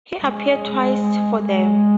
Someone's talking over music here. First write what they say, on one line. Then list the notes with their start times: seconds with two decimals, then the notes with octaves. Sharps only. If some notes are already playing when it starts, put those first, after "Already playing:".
He appeared twice for them.
0.22 G#3
1.43 G#3